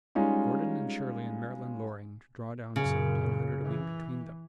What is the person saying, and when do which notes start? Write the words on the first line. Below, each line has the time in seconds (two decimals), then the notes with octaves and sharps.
Gordon and Shirley and Marilyn Loring draw down seventeen hundred a week between them.
0.15 G3 G#3 C#4 D#4 F4
2.76 F#2 A#2 C#3
3.65 E3